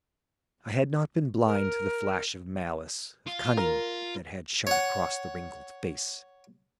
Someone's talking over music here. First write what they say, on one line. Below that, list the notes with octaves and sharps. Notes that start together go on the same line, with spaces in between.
I had not been blind to the flash of malice, of cunning, that had shot across the wrinkled face.
A#4
F4
A#4
C#5 F#5